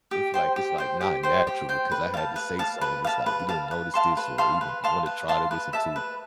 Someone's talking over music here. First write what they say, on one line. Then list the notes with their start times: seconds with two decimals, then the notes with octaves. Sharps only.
If like it's like not natural because I had to say something, it's like, you didn't notice this or even wanna try to listen to
0.11 G4
0.34 C5 G5
0.56 G4
0.78 C5 G5
1.01 G4
1.23 C5 G5
1.47 G4
1.69 C5 G5
1.92 B4
2.14 F5 A5
2.36 B4
2.59 F5 A5
2.81 B4
3.04 F5 A5
3.26 B4
3.49 F5 A5
3.71 B4
3.94 F5 A5 C6
4.17 B4
4.38 F5 A5 C6
4.61 B4
4.84 F5 A5 C6
5.06 B4
5.29 F5 A5 C6
5.51 B4
5.73 E5 A5
5.96 B4